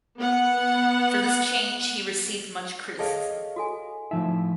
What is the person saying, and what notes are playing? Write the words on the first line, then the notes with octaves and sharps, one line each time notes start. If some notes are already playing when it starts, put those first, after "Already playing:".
For this change he received much criticism.
B3 F#5
G#4 A4 C#5 D#5 F5 A5
F#4 A4 G#5
A2 F3 D#4 E5